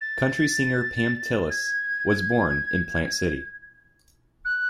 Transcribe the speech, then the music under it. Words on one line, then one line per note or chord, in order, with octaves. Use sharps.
Country singer Pam Tillis was born in Plant City.
A6
G#6
F#6